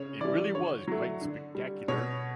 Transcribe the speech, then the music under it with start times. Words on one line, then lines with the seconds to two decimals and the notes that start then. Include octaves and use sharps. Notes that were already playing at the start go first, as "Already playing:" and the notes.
It really was quite spectacular.
Already playing: C#3 C#5
0.21 E3 G3 D5
0.54 D3 C#5
0.88 F#3 A3
1.21 D3
1.55 G3
1.88 B2 C#5